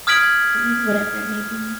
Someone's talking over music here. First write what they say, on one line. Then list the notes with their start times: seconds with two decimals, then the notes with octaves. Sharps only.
you know, whatever it may be.
0.07 D#6 F6 G#6 B6 D7 F#7